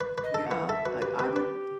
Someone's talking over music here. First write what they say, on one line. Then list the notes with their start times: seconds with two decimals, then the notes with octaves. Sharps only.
Yeah, I I would
0.01 B4
0.18 B4
0.24 D#5
0.34 A4
0.46 F#5
0.51 B4
0.68 A4 E5
0.85 F#4 B4
1.02 G4 B4
1.19 G4 B4
1.36 B4